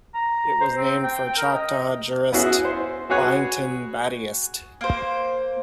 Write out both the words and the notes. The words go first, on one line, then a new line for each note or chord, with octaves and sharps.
It was named for Choctaw jurist Byington Battiest.
A#5
C5
C4
G5
A#4
D#5
B3 C#4 E4 F#4 G#4
C5
F#4 G#4 B4 C#5 F#5 G#5
A#3 C5